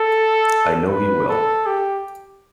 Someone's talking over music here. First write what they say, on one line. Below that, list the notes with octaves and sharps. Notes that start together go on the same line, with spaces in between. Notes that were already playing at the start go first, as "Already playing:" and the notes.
I know he will!
Already playing: A4
B4
A4
G4